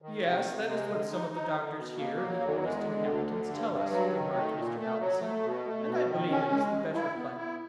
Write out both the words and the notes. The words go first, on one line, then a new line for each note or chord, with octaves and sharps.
"Yes, that is what some of the doctors here, and the oldest inhabitants, tell us," remarked Mr. Allison, "and I believe it is the better plan."
D#3
C3
C3
G#3
D3
D#4
D#4
D3
B2
A#3
F#3
E2
G#3
D3
D2
D3
G2
G2
F#3
D#3
A3
A#2
A3
F#3
A3
B2
A3
B2
D#3
C#4
G#3
G2
E4
B3
E4